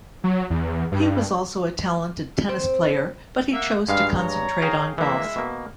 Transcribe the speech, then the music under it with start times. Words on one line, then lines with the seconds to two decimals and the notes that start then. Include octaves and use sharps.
He was also a talented tennis player, but he chose to concentrate on golf.
0.24 F#3
0.50 E2
0.92 G2
2.49 C4
3.53 A#3 E5 F#5
3.89 G2 G#3 F5
4.19 C#5 A#5
4.62 G#4 F5 G5
4.98 E3 G#3 A#3 E4 E5
5.36 B2 A#3